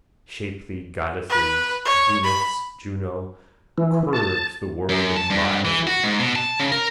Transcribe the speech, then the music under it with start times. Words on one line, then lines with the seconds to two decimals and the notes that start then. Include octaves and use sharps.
Shapely goddesses, Venus, Juno: curves the world admires.
1.30 B4
1.85 C#5
2.24 B5
3.78 E3
4.13 A5
4.89 F#2
5.17 A5
5.30 G2
5.65 E3
5.87 F#4
6.04 G#2
6.20 B2
6.36 A5
6.60 C#3
6.72 A#4